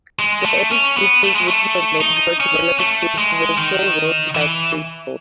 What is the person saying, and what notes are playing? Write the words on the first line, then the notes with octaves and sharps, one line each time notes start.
The early scooters, which were made with roller skates, were four-wheeled like skateboards.
G#3
A3
C#4
B3
A3
G#3
A3
D#4
C#4
A3
G#3
D#3
E3